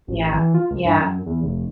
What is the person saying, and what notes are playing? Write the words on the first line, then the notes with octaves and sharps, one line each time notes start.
Yeah, yeah,
A1
E3
F4
C#2
G2
F#2
E2
F1